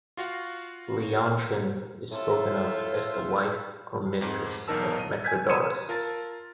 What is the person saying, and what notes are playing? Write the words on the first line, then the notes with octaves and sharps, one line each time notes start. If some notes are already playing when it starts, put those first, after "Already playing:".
Leontion is spoken of as the wife or mistress of Metrodorus.
F4 F#4 F5 F#5
A2 F4 A4 C5 E5
F2 G#2
B1 E2 D#4 A#4 A5 E6
D#5 D#7
G#5 G#6 B6
D#6 E6 G#6 C#7 D#7 E7
F4 A#4 A5 A6